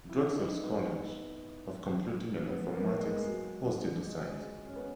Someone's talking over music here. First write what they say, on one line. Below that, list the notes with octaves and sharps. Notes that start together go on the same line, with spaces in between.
Drexel's College of Computing and Informatics hosted the site.
E4
D#4
B3
B3
A#3
G#3
F#3
G#3
C#4
B3